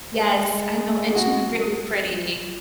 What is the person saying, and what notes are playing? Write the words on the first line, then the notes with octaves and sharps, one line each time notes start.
Yes, I know, and she's really pretty.
G#3
G#4
F#4